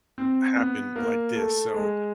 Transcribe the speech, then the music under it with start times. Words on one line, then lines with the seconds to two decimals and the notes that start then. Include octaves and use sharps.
happen like this, so
0.18 C4
0.56 B3
0.96 A#3
1.35 A3
1.74 G#3